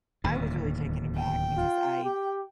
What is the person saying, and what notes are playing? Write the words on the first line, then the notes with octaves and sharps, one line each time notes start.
I was really taken aback, because I
D1 D#2 B2
G5
F4
G4